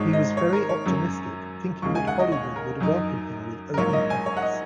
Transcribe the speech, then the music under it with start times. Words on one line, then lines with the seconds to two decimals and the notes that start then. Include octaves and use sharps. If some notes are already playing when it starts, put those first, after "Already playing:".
He was very optimistic thinking that Hollywood would welcome him with open hands.
Already playing: G#1 G#2 G#3 D#4 C#5
0.13 D#5
0.37 C#5
0.53 A#4
0.69 C#5
0.86 F#2 F#3 C#4
1.82 D#2 C#3 G#3 C#6
1.95 G#5
2.07 F#5
2.19 D#5
2.32 C#5
2.56 A#4
2.80 F#2 F#3 D#4
3.74 A#4
3.77 A#1 G#2 F#3 A#3 C#5
3.93 D#5
4.10 G#5
4.26 C#5
4.37 F#5
4.42 D#5